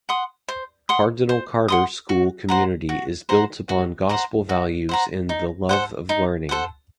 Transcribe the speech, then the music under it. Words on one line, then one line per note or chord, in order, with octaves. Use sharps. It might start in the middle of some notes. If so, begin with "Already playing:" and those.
Cardinal Carter school community is built upon Gospel values and the love of learning.
F#5 C6 D#6
C5
F#5 C6 D#6
C5
F#5 C6 D#6
F#4
C5 F#5 A#5
F#4
C5 F#5 A#5
F#4
C5 F#5 A#5
F#4
C5 F#5 A#5
D#4
A4 C5 F#5
D#4
A4 C5 F#5